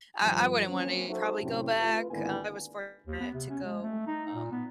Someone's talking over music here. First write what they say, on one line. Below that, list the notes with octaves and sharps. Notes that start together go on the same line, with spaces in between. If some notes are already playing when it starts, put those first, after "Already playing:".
I I wouldn't wanna probably go back. Uh, I was fortunate to go, um,
G2 D#3 F3
F#3 A#3 C4 C#4
D#4 F#4 A4 C5 E5
F#2 A2 C3
A3 F4 B4
G#1 D3 A#3 B3 E4 G#5
D#2
B3
C3
C#4
G#3
A3
D#4
A#2
B3